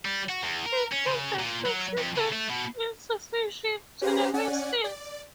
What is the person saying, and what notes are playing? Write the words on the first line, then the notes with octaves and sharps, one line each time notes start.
At harvest, the priests went in succession to the maize fields.
G3
F#4
E2
A#4
C#4
C#3
A#2
F#3
F2
C#3
A3
B2
C#4 G4 B4 C5 F5 A#5
C#4 D5 F#5 G#5
D5